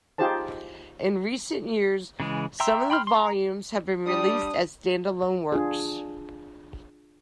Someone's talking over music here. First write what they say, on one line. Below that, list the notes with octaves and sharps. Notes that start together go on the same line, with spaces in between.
In recent years some of the volumes have been released as stand-alone works.
D#4 F4 G4 G#4 C5 A5
C#3 E3 G#3
E5 G5 A#5 C6 E6
G5 B5 C6 F6
C6
A#5
G3 D4 D#6
D4 F4 G#4